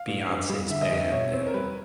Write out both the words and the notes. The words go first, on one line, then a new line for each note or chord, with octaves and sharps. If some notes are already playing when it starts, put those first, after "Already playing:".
Beyonce's band and
Already playing: F5
G2
G2
G3
D3 E5
D#5
G2 E5
B2 C#5
C4
A#4
G3 B4